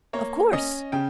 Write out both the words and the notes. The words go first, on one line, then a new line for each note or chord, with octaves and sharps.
"Of course."
A#3 C#5
C#4 D#5
C#3 G5